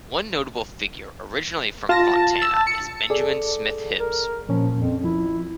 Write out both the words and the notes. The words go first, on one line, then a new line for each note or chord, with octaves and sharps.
One notable figure originally from Fontana is Benjamin Smith Hibbs.
F4 A5 A#6
E6
C#7
G#4 A4 D5
A#4
A#2 F3 C#4
F2
F3 E4